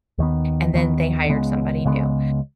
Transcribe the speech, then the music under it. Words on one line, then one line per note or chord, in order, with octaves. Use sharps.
and then they hired somebody new
D#2 D#3 B3
D#2 D#3 B3
C#2 C#3 G#3 B3
C#2 C#3 G#3 B3